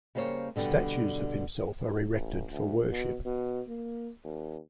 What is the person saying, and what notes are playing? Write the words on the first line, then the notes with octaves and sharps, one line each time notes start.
Statues of himself are erected for worship.
C#3 G3 A#3 C5 C#5
B2 D3 G3 B3
A1
D2
B2
B2
A#3
D#2